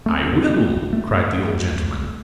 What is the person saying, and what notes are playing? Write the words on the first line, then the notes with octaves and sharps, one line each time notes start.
"I will!" cried the old gentleman.
A3 C4
A3